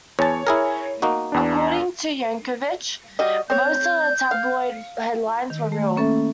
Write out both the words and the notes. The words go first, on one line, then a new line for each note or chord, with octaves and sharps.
According to Yankovic, most of the tabloid headlines were real.
E2 C#5 G#5 A5
E4 G#4 A#4
A#3 D#4 F#4
E2 D4
G3 F#4 D#5
C4 C#5 G6
F5
D#3
A3
A#3 C#4 A4 E5